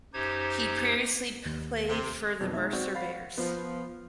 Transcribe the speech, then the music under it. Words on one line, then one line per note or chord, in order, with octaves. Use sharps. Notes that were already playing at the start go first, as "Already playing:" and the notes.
He previously played for the Mercer Bears.
F#2 D#4 G4 C5 G#6
D#2
C3
F2 B2 D#3 F#3
G#3 D#4 E5
C4 F#4 D5 G6
C5 F5 F#5 B5 A6 C7
F3 B3